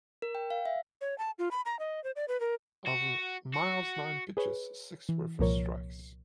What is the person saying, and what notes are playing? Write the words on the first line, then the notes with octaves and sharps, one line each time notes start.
Of Miles' nine pitches, six were for strikes.
A#4
G5
F5
E5
C#5
A5
F4
B5
A#5
D#5
C5
D5
B4
A#4
F#4
F#4
G#4 B4 C#5
E3
C2 A#2 F3 A#4 C#5